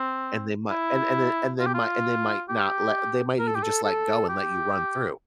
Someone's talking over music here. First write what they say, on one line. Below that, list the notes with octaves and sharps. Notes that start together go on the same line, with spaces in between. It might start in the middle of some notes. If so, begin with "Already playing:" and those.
and they might and and a and they might and they might not let they might even just let go and let you run through
Already playing: C4
E4
F4
G4
F4
G4
A#4
A4
G4
A4
A4
G4